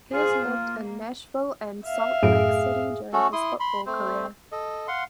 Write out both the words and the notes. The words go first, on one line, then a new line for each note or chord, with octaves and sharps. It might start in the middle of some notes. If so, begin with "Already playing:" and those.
He has lived in Nashville and Salt Lake City during his football career.
F4 G#4 C5
A#3
E5 F5
F#2 A2 G#4 D7
A3 C#4 F#4 A4
E4 C6 D#6
B5 C6
A3 C4 C5
A4 D#5
F5 F#5 C6